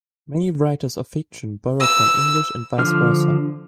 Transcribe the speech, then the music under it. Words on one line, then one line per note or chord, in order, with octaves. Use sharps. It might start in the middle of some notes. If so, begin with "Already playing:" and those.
Many writers of fiction borrow from English and vice versa.
E6
D3 F3 F6